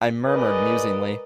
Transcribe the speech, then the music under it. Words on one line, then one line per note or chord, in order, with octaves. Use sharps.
I murmured musingly.
G#4 A#4 B4 D5 D#5